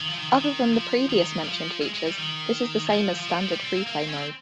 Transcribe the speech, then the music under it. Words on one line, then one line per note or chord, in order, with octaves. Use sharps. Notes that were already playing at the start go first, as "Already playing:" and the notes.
Other than the previous mentioned features, this is the same as standard free-play mode.
D#3
F3
D#3
F3
D#3
F3
D#3
G3
F3
G#3
G#3
G3
D#3
F3
F3
G3
F3
G3
C4
A#3
A#3
C4
C#4
C4